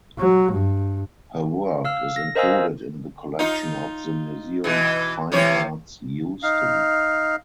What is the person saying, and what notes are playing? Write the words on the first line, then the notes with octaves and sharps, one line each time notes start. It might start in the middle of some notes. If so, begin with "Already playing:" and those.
Her work is included in the collection of the Museum of Fine Arts Houston.
F#3
G2
F5 E6 F6
A#6
A#4 C5 D#5 F5 G#5 E6
D#4 F4
B2 E3
C3 E3 C#5
D#4 F5